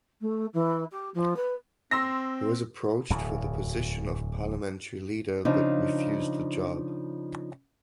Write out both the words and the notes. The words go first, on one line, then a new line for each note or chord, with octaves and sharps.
He was approached for the position of parliamentary leader but refused the job.
A3
E3
G4
F3
B4
C4 C6 E6 A#6
D1 E2 B2
C#3 F3 D4 D#4